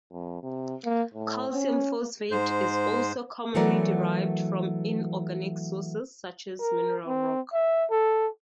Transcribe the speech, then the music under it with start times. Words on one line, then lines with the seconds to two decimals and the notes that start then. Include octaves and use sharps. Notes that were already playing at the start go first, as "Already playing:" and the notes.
Calcium phosphate is also commonly derived from inorganic sources such as mineral rock.
0.12 F2
0.43 C3
0.84 A#3
1.14 A2
1.53 C#4
2.31 G#2 C5
3.55 E3 F#3 A3 B3 A#4 D5
6.60 A#4
7.07 C4
7.53 E5
7.91 A4